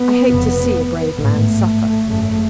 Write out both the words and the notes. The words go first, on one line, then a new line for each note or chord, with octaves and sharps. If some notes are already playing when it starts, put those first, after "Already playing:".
I hate to see a brave man suffer.
Already playing: B3
F1 F2 C#3
A1 G#2 A3
G#1 F#2 C#3